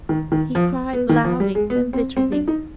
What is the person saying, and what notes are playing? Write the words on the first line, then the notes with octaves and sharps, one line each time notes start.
He cried loudly and bitterly.
D#3
D#3
F3
B3
D#3
F3
G3
G#3
B3
C4
C4
D4
D#4